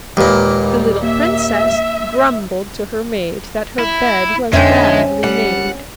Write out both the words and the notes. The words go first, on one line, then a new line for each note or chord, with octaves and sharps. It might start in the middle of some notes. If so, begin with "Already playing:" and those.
The little princess grumbled to her maid that her bed was badly made.
D#2 A#2 G#3 A#4 B4
G3
A#3 E5
E4
F2 D3 G#3 C4 C#4 E5 G5 G6
G3 F#5